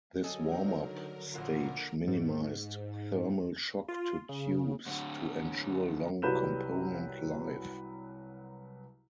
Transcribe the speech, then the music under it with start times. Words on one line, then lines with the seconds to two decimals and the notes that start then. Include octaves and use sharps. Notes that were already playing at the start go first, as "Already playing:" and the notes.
This warm-up stage minimized thermal shock to tubes to ensure long component life.
0.23 D3 F#3 A4 A#4 D#5 G#5
0.52 D#4
1.34 A#1 A#2 A#3 F4 F#5
2.07 G#2
3.88 F4
4.29 C#3
4.86 A2 D3
6.22 C2 F#3 G3 B4 G6 E7